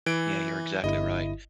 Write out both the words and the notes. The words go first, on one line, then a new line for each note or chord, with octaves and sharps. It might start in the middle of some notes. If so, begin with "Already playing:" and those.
Yeah, you're exactly right.
E3 D7
G1 E4 D#5